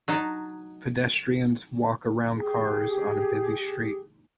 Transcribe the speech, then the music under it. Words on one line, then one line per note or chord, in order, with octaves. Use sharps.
Pedestrians walk around cars on a busy street.
F#3 D#4 A5
G4 G#4